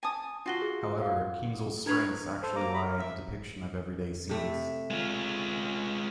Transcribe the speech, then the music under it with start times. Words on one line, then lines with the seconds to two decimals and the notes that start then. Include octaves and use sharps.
However, Kienzl's strengths actually lie in the depiction of everyday scenes.
0.03 G#5 A5 D#6
0.46 F4 F#4 C7 G7
0.62 G#4
1.02 F5
1.86 D4 A#4 B4 C#6 G#6 F7
2.43 A4 C5
2.56 A#3 A#5 D6
2.74 A#5 B5
2.85 A#4
2.99 E5 E6
4.29 C3 A3 E4
4.91 G#3 F4